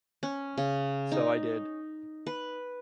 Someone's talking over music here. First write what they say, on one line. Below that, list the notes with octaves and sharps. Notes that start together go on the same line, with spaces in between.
So I did.
C#4
C#3
D#4
B4